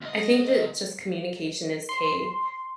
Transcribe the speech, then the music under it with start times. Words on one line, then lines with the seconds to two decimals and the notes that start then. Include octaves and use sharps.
I think that just communication is key.
0.01 D2 D#5
1.89 C6